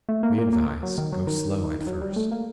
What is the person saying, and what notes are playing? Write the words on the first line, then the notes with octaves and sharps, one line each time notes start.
We advise: Go slow at first.
A3
A#3
A#3
A#3
F#3
D#3
F#3
D#3
D#3
F#3
G3
A3
A#3